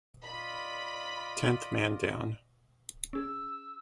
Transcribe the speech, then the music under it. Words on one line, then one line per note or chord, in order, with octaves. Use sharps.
Tenth Man Down.
F4 D5 D#5 B5
C#4 G#4 E6